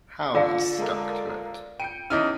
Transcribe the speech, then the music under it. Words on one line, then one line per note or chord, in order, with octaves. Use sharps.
How he stuck to it!
D3 F4 D5 F5
G#3 A4 A#4
G5 G6 C#7 D7
E2 C#4 D#4 E4 F6 D#7